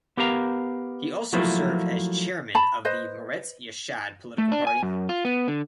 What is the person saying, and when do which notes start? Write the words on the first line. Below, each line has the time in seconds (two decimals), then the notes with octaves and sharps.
He also served as chairman of the Meretz-Yachad political party.
0.17 B3 G4 A#4 F5 A#5
1.33 F3 F#3 A3 A#3 E4 F4
2.55 A5 B5
2.85 B4 C5 D#5
4.38 A3
4.52 D4
4.67 G#5
4.83 F#2
5.09 F4
5.25 B3
5.48 D3